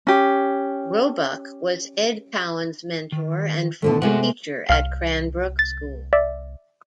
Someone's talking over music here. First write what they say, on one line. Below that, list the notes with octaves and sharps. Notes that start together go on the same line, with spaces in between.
Roebuck was Ed Cowan's mentor and former teacher at Cranbrook School.
C#4 G4
D#3
B2 D3 D#3 A3
C3 G#3 A3 F#4 A#4 F#5
C2 F5 F6
A6
D5 E5